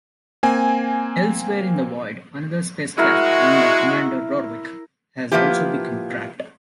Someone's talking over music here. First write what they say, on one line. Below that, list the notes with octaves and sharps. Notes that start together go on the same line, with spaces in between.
Elsewhere in the void, another spacecraft, run by Commander Rorvik, has also become trapped.
A#3 C4 G#5
G#3 E4 F#4 A#4
F3 A#3 B3 E4 F4 G4